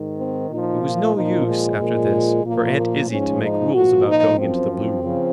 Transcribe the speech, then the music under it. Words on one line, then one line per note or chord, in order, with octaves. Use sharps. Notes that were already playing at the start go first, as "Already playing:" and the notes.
It was no use, after this, for Aunt Izzie to make rules about going into the Blue-room.
Already playing: G#2 D#3
C4
A#2 F3 D#4
F4
A#2 F3 D#4
G#3
A#2 F3
A#2 F3 A#3
A#3
G#2 F3 C#4
D#4
A#2 F3 F#4
D#4
F#2 F3 C4
C4
C#3 F3